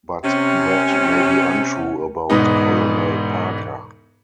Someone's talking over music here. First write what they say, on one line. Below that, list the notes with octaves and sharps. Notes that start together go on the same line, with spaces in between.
But that may be untrue about Colonel Parker.
C3 C#4
E1 G#2 B3 D#4